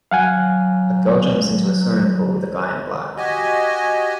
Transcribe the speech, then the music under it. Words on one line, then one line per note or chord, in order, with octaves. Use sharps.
A girl jumps into a swimming pool with a guy in black.
F#3 F5 F#5 G#5
F#4 G4 D#5 G#5